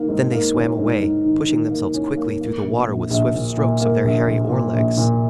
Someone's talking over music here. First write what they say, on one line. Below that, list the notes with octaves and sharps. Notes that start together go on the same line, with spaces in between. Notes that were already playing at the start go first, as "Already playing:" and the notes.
Then they swam away, pushing themselves quickly through the water with swift strokes of their hairy oar-legs.
Already playing: D#3 A#3
G#2
A#3
C#4
G#2
G#2
D#3
D#3
A#3
C#4
A#3
A#3
A#1
A#1
A#1
A#2
A#2
A#3
A#1
A#1
A#2
A#1
A#2